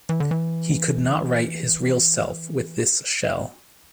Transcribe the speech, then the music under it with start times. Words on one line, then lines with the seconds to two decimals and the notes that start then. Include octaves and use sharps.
He could not write his real self with this shell.
0.09 E3
0.20 D3
0.31 E3